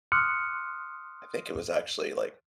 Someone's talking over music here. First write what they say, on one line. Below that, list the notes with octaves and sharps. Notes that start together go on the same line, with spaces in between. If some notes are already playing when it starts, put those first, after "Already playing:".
I think it was actually, like
C6 D6 D#6 F6 F#6 C#7